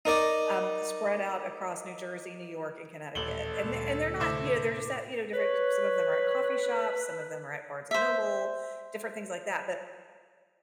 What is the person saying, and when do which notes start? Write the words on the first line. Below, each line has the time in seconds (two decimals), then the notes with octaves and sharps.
um, spread out across New Jersey, New York, and Connecticut, and they're they're not You know, they're just at, you know, different s Some of them are at coffee shops, some of them are at Barnes and Noble, different things like that, but
0.05 D#4 A#4 D5 D#5
3.15 D#1 A1 A4 F#7 G7
3.63 D2 A#2 G3 C4
4.20 A2 C3 A3 E4 C5 D6
5.33 B4 C#5
7.91 C5 E5